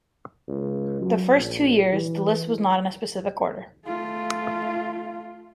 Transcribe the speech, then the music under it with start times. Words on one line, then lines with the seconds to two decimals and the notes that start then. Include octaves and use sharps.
The first two years, the list was not in a specific order.
0.48 C#2
1.01 F#3
1.32 A#1
1.93 E3
3.86 A3 F4